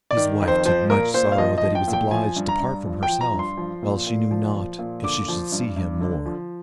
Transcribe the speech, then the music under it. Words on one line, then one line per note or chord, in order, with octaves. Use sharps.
His wife took much sorrow that he was obliged to part from herself, while she knew not if she should see him more.
D5
D#3
F2
C5
F3 C5
A#2 A#4
A#2 C5
F5
F3 D#5
D#5
F3
G5
A#2
G5
F3 G#5
G2
A#5
G2
F3
G5
F3
A#5
G2
C6
F3
A#2
A#2
F3
F3
A#2
D3 D6
F3
G2
G2
D3
F3